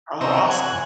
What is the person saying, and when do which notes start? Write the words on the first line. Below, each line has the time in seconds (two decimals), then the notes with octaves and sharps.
Oh, awesome.
0.21 C3 C4 C#5 D#5 A#5 E6
0.50 F#5 G#5